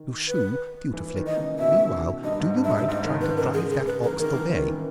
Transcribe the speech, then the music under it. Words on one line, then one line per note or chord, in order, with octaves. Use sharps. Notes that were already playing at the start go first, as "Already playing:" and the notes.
You ‘shoo’ beautifully. Meanwhile, do you mind trying to drive that ox away?
Already playing: D#3
B4
E3
D#3
D#5
C#3
B2 E5
D#3
D#3
G2 D#5
G#2
G2
E5
G#2 D#5
E5
G#2 D#5
D#3
C#3 B4
C#3 A#4
G#4
G#4
B4
A#4
E3
D#3 A#4
E3
D#3
E3